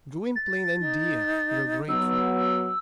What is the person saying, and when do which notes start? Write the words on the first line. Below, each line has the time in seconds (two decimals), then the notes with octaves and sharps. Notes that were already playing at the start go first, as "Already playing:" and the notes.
Gwynplaine and Dea were grateful.
0.36 A6
0.80 D#4
1.89 F#3 B3 E6